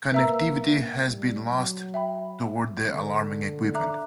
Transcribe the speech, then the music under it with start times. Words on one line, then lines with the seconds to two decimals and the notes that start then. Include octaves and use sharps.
Connectivity has been lost toward the alarming equipment.
0.13 A#3 B4 E5 A#5 E6
1.03 G3
1.49 F#3
1.94 E5 G5 B5
2.84 D3
3.75 E5 A#5 D6 F#6